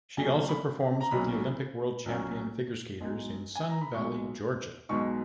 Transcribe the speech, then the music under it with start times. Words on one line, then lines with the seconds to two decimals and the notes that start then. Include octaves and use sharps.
She also performs with the Olympic World Champion figure skaters in Sun Valley, Georgia.
0.17 B1 A#2 F#3 C#4 G#5
0.49 B5
1.01 A#5
1.11 B1 A#2 F#3 C#4 B5
2.05 B1 A#2 F#3 C#4
3.00 B1 B2 G#3 D#4
3.55 G#5
3.69 A#5
3.81 B5
3.94 B1 B2 G#3 D#4 C#6
4.89 B1 B2 G#3 D#4 C#6